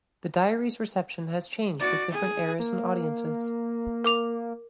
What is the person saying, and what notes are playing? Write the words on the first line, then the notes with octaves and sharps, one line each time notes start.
The diary’s reception has changed with different eras and audiences.
F#4 D5
G#4
A#3
A#4 D6 F7